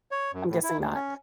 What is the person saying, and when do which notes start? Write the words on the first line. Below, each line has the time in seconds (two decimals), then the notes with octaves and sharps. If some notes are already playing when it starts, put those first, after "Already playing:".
I'm guessing not.
0.11 C#5
0.33 F#2
0.49 A2
0.63 E4
0.77 D2
0.94 C#4